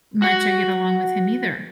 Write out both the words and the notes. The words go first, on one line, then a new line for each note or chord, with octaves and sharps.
much I get along with him either.
F#4 F#5